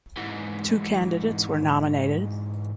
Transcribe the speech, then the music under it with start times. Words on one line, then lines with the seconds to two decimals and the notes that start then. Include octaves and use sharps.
Two candidates were nominated.
0.17 G#2 E3